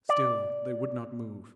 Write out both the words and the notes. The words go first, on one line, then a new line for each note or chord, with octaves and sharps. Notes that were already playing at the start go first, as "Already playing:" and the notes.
Still they would not move.
D5